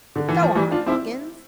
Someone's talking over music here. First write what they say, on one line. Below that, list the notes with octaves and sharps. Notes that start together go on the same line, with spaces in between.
"But go on, Hawkins."
D3
E3
F3
E3 G3
D4 F4
C4 E4